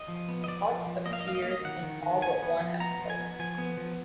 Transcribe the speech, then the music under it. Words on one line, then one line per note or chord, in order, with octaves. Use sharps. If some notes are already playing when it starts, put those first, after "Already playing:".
Potts appeared in all but one episode.
Already playing: D#5
F3
B3
D#5
F3 D5
F3
F3
A#3 D#5
F5
D#5
A#3 F5
D#5
A#3 F5
D#5
D#3 F#5
D#3
D#3
B3 G#5
B3
F3
B3 A#5
F3
G#5
B3
F3 G#5
B3
F3